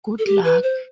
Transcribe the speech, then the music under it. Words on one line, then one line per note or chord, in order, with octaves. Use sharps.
Good luck?
A4
G4
B4
C5